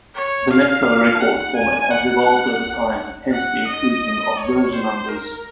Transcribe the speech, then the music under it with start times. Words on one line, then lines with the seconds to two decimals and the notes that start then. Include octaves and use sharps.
The NetFlow record format has evolved over time, hence the inclusion of version numbers.
0.15 C#5
0.50 F5
1.20 F#5
1.56 G#5
1.91 F#5
3.32 F#5
3.68 D#5
4.38 C#5
4.73 C5
5.08 A#4